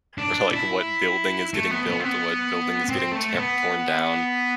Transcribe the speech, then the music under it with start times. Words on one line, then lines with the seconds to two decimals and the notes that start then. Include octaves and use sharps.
or, like, what building is getting built, or what building is getting tam torn down.
0.18 D4
0.52 E4
1.54 A3
1.71 B3
1.88 B3
2.00 C4
2.05 B3
2.89 C4
3.12 A3
3.35 B3